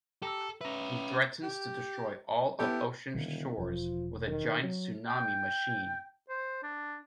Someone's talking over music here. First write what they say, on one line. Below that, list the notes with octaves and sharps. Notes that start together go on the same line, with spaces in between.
He threatens to destroy all of Ocean Shores with a giant tsunami machine.
G4 A4 A#5 E6
C#4 B4 E5 A#5
G4
B3 E4 G4 A4
E1 D3 D#3 G3
E1 F3
D#3
F#3
G5
C5
D4